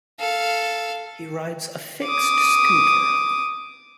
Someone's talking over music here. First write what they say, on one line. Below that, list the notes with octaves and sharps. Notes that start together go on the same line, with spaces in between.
He rides a fixed scooter.
A4 F5
D6 D#6